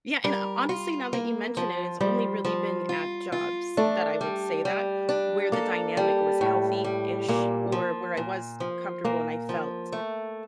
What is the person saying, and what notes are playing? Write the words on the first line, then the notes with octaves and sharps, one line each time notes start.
Yeah, and ho honestly, now that you mentioned it, it's only really been at jobs that I would say that, where the dynamic was healthy-ish, or where I was comfortable and I felt
G3 A#4
F4
A#3
F3
F3 G3
F3
F4
F4
A3 D4
G3
G3
D4
A#3 A4
G3
A2
G3
A#2 A#3
F3
A#2
F3
A#2 A#3
F3
A3